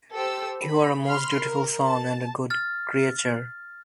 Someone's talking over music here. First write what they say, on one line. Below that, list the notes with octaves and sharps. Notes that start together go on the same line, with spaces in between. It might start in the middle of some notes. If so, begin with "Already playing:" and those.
You are a most dutiful son and a good creature.
G4 A4 C5 E6
B5
B5 C6 F6
A#4
A5
F6 A6